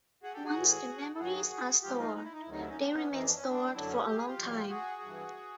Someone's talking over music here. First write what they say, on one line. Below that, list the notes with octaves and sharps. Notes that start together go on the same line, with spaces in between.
Once the memories are stored, they remain stored for a long time.
F#4 G#4
G4 A4
F#4 G#4
A2 E3
A4
G2 D#3 F#3 F#4 G#4
G#2 F3 F4 G4
D#4 F4
D#4
E4
D#4
E4
D2 C3 D#3 F#3 D#4
E4
C#4 D#4
C4 D4
B3 C#4
F2 C3 E3 D#4
D4
C#4
C4 D4
F#2 D3 F#3 D4 E4
B3 C#4
G4
G#4
F4 G4
E2 B2 F#3
F#4 G#4
G2 E3